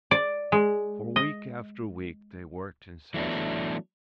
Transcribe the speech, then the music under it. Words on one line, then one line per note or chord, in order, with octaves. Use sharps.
For week after week they worked incessantly.
D5
G#3
D#5
E3 F#3 A3 B3 D4